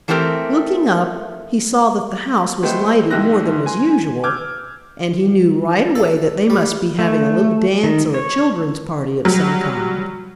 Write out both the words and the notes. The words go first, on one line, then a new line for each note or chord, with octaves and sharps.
Looking up, he saw that the house was lighted more than was usual, and he knew right away that they must be having a little dance or a children's party of some kind.
E3 A3 C4 G4 A#4
G#3 A3 B3 G4 C5
C2 G#2 G4 E5 F#6 A#6
G#5 C6
D6 E6 F6 G6 G#6
A4
G3
A3
D#3
C#5
F#3 G3